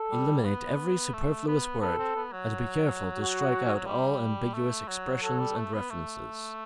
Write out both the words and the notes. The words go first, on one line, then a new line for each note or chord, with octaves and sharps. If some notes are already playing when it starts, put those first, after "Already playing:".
Eliminate every superfluous word and be careful to strike out all ambiguous expressions and references.
Already playing: A4
G3
B3
A3
B3
B3 A4
C4
B3
F#3
F#4
G3
A3
F#3
F#3 A4
G3
A3
B3
A3